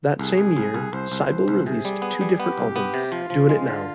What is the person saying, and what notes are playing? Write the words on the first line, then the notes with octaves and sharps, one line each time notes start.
That same year, Sybil released two different albums: Doin' It Now!
C2 G#4
C2
C2
C2
C2 C5
C2
C2
C2
C3 G#4
G3
B3
G3
B3 G4
C2
B3
C3
F3 F4
F3
G#3
D3